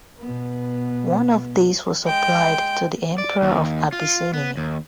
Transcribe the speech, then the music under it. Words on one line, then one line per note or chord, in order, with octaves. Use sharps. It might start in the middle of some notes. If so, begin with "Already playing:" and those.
One of these was supplied to the Emperor of Abyssinia.
B2 B3
G#3 G5
D5
D#2
F4
B3
D#2